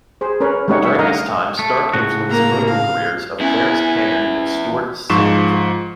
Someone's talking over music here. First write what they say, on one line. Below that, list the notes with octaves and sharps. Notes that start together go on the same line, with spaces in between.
During this time, Stark influenced the political careers of Clarence Cannon and Stuart Symington.
G#4 C5
C#4 A#4 B4 C#5
G3 A3 C#4 D#4 C#5 F#5
E5 F#5
A#4 D#5 F5 F#5 A#5
A3
A2 C#3 F#4
A#3 A#5
F5
E2 C#4 E4
G#2 F3 C#6 E7